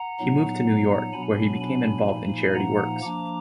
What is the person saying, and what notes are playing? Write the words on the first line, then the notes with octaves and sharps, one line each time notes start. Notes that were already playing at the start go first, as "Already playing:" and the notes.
He moved to New York, where he became involved in charity works.
Already playing: F#5 A#5
A#2 F#3 B3 D#4
B2 F#3 B3 D4 G#5 B5
G#5 B5
A#2 F3 A#3 D#4
F#5 A#5
F3 A#3 D4 A#5 D6